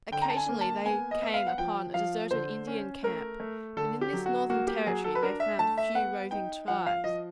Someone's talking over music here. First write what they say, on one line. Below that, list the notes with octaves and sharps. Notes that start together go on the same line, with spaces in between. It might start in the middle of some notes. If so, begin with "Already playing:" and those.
Occasionally they came upon a deserted Indian camp, but in this northern territory they found few roving tribes.
D3 G5
A#5
A5
G#5
A#3
A5
B3 G#5
D#5
B3 E5
F5
F#5
F3 G5
F3 F5
D3 C5
C#4
A3 A#4
A3
D3 A4
G4
F#3
F#4
A#3 F#4
G4
F#3 G#4
A4
B4
D4 A#4
E5
A3 A5
E5
B3 F#5
D#4 G5
F3 F#5
F5
F3 D#5